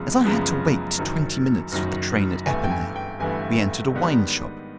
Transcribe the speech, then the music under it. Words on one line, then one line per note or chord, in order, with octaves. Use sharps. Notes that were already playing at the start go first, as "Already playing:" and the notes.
As I had to wait twenty minutes for the train at Epinay, we entered a wine shop.
Already playing: F#2 C#3 F3 G#3 B3
F#2 C#3 F3 G#3 B3
F#1 F#2 D#3 F#3
F#1 F#2 D#3 F#3
G1 G2 E3 A3 G#5
G5
G#5
G5
G1 G2 E3 A3 G#5
G#2 D#3 G3 B3 D4